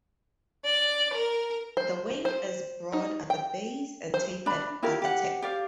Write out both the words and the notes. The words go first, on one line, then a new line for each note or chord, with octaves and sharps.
The wing is broad at the base and tapered at the tip.
D5
A#4
C5
C5
D#4
G5
C5
D4 B5
E4 F4 G4 A#4
G4 F#5
G4 D5 F5